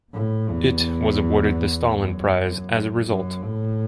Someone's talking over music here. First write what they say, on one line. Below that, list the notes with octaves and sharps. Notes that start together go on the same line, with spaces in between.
It was awarded the Stalin Prize as result.
A2
E2
F#2
F#2
A2